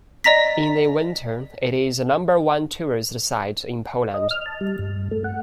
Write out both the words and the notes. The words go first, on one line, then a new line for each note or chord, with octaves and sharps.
In the winter, it is the number one tourist site in Poland.
D5 D#5 A#5 A#6 B6
D#5
F6
A5
G3
G2
A3
F#5